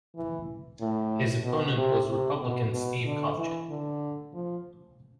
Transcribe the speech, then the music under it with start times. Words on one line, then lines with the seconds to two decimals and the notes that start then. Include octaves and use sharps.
His opponent was Republican Steve Cofchin.
0.16 E3
0.81 A2
1.44 B2
1.77 C3
2.09 C3
2.42 B2
2.73 B2
3.06 D3
3.38 E3
3.69 D3
4.34 F3